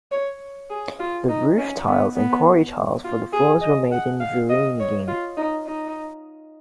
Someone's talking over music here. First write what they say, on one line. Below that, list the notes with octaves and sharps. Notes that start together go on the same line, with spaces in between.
The roof tiles and quarry tiles for the floors were made in Vereeniging.
C#5
G#4
F4
D#4
C#4
B3
B3
F4
G#4
D#5
F#5
F5
D#5
C#5
F4
D#4
D#4